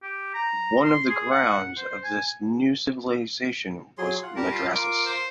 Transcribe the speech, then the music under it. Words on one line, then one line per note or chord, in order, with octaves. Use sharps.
One of the grounds of this new civilization was madrasas.
G4
A#5
C6
G#4
F#5
C5
C5
G#5
F#3 G#4 C6
F4 F#5
G3 G4 A#4 A5
F4
F4 A#4 D6
C5